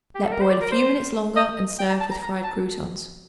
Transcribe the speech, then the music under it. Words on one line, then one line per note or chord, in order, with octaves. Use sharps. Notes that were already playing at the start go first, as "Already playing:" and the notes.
Let boil a few minutes longer and serve with fried croutons.
G4
A4
A#4
C5
D5
A#4
C5
D#5
G5
A#5
A5
A#5
A#5
A5